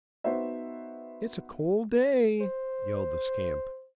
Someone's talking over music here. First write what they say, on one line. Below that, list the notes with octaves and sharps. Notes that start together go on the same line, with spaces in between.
"It's a cold day!" yelled the scamp.
B3 D#4 F#4 C5 E5
C5